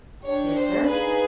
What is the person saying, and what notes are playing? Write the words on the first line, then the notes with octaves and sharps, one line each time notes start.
"Yes, sir."
D4 G4 C#5
C5
A#3 D#4 G#4 B4